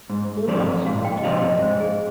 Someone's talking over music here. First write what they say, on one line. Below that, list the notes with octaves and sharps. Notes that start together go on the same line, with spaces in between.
Thorndyke smiled genially.
G#2
F3 C4 G4 D5
G#2 F5
G5
D#5
F3 C4 G4 D5 F5
D#5
G#2 C5
G#4